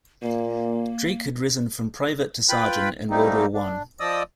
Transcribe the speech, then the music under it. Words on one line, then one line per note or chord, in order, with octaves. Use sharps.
Drake had risen from private to sergeant in World War One.
A#2 A#3
F4 B4 G5 B5
G3 A3 A#3 C4 D#4
D4
F3 D5 D#5 D#6 E6